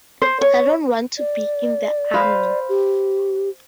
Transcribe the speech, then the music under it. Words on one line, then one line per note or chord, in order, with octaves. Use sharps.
I don’t want to be in the army.
C5
C#5
D5
B4 C5 F5
G4